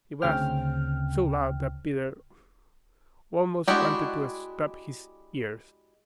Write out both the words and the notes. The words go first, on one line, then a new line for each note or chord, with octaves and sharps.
It was so loud that Peter almost wanted to stop his ears.
D2 C#3 C4 C#4 G5 F6
G#3 D4 E4 F#4 G4